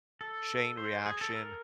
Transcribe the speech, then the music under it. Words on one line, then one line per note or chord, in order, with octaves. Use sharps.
chain reaction.
A4
C5
G#4
A4
A#4